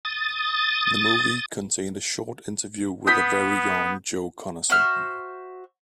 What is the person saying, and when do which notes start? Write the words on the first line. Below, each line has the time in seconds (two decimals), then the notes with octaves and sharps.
The movie contained a short interview with a very young Joe Conason.
0.05 D#6 A6
3.07 B3 D#6 G6 B6
4.70 F#4 C5 E5 F6